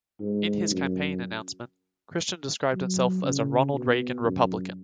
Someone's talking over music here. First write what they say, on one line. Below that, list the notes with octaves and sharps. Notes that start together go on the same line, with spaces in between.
In his campaign announcement, Christian described himself as a "Ronald Reagan Republican".
G#2
F#2
F#3
C#3
B2
F#2